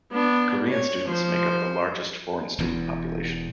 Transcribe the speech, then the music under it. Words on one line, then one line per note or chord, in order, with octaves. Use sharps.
Korean students make up the largest foreign student population.
B3 D4
C#5
F3 C5
E1 E2